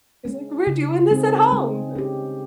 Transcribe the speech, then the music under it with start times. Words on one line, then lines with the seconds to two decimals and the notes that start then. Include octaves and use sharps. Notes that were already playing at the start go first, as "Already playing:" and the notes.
he was like "We're doing this at home."
0.25 G#3 C#4
0.67 C#3
1.11 G#3 C4 D#4 G#4
1.52 G#3
1.95 C#4 G4